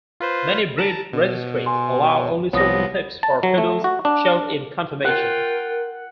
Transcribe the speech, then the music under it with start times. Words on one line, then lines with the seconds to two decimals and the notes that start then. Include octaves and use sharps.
Many breed registries allow only certain clips for poodles shown in conformation.
0.20 F4 B4 C5
0.78 A5 A#5 E7
1.13 B2
1.66 G#5 C6
2.53 C2 F3 B3 C#5 D#6 A#6
3.23 A5
3.43 F#3
3.58 A3
3.84 F#4
4.05 D4
5.04 F4 A#4 F#5 G5